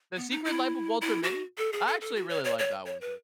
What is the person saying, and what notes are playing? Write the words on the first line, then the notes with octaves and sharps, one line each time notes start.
"The Secret Life of Walter Mitty?" I actually really like that one personally.
B3
D#4
E4
E4
F#4
A4
G#4
A4
A4
F#4
C#5
C#5
C#5
C#5
B4